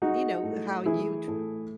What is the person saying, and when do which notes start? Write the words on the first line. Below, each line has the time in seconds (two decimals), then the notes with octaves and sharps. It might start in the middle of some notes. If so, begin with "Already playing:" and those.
you know, how you tr
0.02 G#3 D#4 F#4
0.43 A2
0.86 E3 E4 G#4
1.28 A2